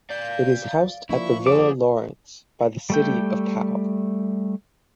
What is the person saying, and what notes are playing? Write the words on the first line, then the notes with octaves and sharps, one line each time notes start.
It is housed at the Villa Lawrance by the City of Pau.
D5 F5 G6
F3 A#3 D4 E4 C#6
G#4 C5 F#5 D6
G3 A3 G5